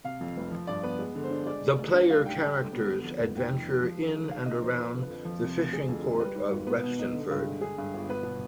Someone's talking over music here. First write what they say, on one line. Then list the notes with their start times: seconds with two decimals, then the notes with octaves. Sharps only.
The player characters adventure in and around the fishing port of Restenford.
0.04 C3 F5
0.20 F2
0.37 F1
0.51 F3
0.67 G2 D5
0.83 B3 B4
0.99 G#3
1.15 D3
1.23 C5
1.30 D4
1.46 G#3 D5
1.62 D3
1.78 D2
1.93 D4
2.09 G3 F5
2.25 G#2 G5
2.41 G3
2.57 D3
2.73 B3
2.89 D3
3.04 F2
3.20 F1
3.35 D#3 G5
3.52 F2
3.67 B3
3.83 F3
3.99 D3
4.14 G#3
4.30 D#3 F5
4.46 C3 D#5
4.62 F2 C5
4.77 F3 B4
4.93 D3
5.02 B4
5.10 F2
5.25 F3
5.42 C3
5.56 D2
5.72 D3 G#4
5.88 F2
6.04 G#3
6.20 G3 B4
6.35 G#2
6.51 G#1
6.67 B3 B4
6.84 B2
6.99 D#4
7.14 D3
7.31 G2
7.47 G#3
7.61 D3 G#4
7.78 G2
7.94 G1
8.09 B3 B4
8.24 B2